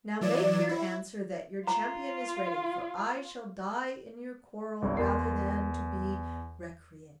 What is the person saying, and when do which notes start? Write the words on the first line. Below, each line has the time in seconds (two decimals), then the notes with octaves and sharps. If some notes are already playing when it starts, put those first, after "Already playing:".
NOW make your answer that your champion is ready, for I shall die in your quarrel rather than to be recreant.
0.21 E3 F#3 D5 E7
0.69 E4
1.67 F4 A#5
4.82 G1 C2 D3
4.97 E2 A#4 C6 C7